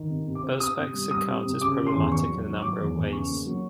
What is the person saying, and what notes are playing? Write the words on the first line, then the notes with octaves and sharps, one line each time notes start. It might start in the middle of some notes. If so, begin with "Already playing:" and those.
Busbecq's account is problematic in a number of ways.
Already playing: D#3
C3
C3
D6
C4
C4 D#6
C3
G3
G3 D#6
C4
C3
C#3 D6
C#3
C6
E2
E2 C#6
F#3
F#3
F#3 D6
E2
E2
C#3 C#6
A#3
F#3